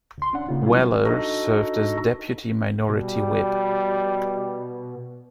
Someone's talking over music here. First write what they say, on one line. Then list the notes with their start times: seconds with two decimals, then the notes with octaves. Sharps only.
Weller served as Deputy Minority Whip.
0.18 D2 C6
0.33 C#4 D4 F#5
0.49 C#3 A#3 D#4 F4
0.64 C3 F#3 G3 C#4 E4 F4
1.06 D4 D#4 F#4 A4 D#5
2.89 B2 G3